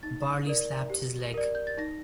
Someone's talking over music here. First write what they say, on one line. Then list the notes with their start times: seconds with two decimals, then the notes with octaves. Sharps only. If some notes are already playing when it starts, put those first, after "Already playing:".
Barley slapped his leg.
0.03 D#4 A6
0.47 A#4 D5
0.90 G4
1.34 A#4 D5
1.55 G6
1.67 A6
1.78 D#4 A#6